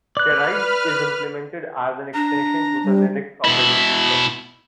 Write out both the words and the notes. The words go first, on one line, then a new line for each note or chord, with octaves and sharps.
Kerrighed is implemented as an extension to the Linux operating system.
B4 D5 F6 F#6
D4 A#5
G3
B2 E4